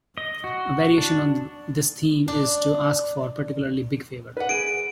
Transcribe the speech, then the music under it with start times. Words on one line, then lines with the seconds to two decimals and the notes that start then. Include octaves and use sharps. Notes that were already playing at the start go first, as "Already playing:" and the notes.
A variation on this theme is to ask for a particularly big favor.
0.18 D#5
0.44 F#4
0.98 D4
2.28 D4
4.37 B4 F#5
4.49 G#4 D7 D#7